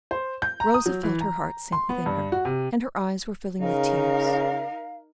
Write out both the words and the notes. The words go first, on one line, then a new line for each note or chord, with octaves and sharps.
Rosa felt her heart sink within her, and her eyes were filling with tears.
C5
G6
A#5
D#6
F#3
E3
A#5
C6
B3
G2
F#4
C3
C#3 D#4 A#4 F5